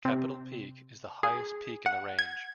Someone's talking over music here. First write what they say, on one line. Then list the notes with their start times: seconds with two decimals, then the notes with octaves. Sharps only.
Capitol Peak is the highest peak in the range.
0.05 C3
1.23 G#4
1.86 F#5
2.19 G#6